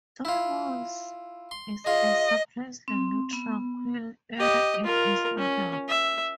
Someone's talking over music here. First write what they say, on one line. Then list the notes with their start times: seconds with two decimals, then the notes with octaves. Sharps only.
Three Mills is a surprisingly tranquil area in east London.
0.25 E4 F4
1.51 C6
1.86 F4 G#4 D#5
2.88 C4
3.33 B3
4.38 G4 D#5
4.84 F4 A#4
5.38 C#4
5.88 E5